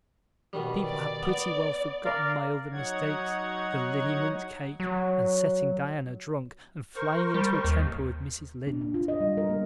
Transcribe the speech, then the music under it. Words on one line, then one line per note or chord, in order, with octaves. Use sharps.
People have pretty well forgotten my other mistakes--the liniment cake and setting Diana drunk and flying into a temper with Mrs. Lynde.
B2 D#3 G3
D5
B3
A#4 D5 F5
F#3 D#4 C#5 F#5 G#6
F#3
A#4 C5 C#6
G3
D#2
D4
D4
F4
D#5
G3
A#4
A#3